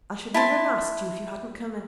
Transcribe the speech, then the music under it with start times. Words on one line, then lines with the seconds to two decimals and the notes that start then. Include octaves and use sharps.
'I should never have asked you, if you hadn't come in.
0.34 E4 A5 C6